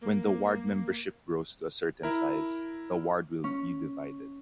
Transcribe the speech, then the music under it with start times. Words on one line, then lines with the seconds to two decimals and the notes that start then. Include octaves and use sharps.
When the ward membership grows to a certain size, the ward will be divided.
0.01 A#3
2.03 E4 A#4
3.44 C#4